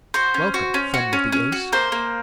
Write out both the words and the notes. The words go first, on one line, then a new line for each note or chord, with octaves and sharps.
"Welcome, Friend of the Ace."
F#4 C5
C#4
F#4
C#4
F#4
C#4
C#4
F#4
A#3 C5
A#3